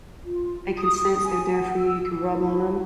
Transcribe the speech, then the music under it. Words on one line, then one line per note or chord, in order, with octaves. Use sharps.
They can sense they're there for you; you can rub on 'em,
F4
D#6
G#5
F#5
E6
E4